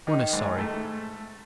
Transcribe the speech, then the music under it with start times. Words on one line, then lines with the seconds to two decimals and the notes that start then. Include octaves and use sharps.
One is sorry.
0.07 D#3
0.33 G#2
0.58 A3